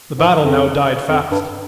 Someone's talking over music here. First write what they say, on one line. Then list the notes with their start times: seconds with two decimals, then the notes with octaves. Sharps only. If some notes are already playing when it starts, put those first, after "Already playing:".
The battle now died fast.
0.18 G#2
0.41 F2
1.10 F2
1.31 G2